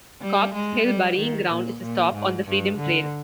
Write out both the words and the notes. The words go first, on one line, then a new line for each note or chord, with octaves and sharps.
Copp's Hill Burying Ground is a stop on the Freedom Trail.
G3
G#3
G3
D#3
A#2
A#2
G#2
G2
D3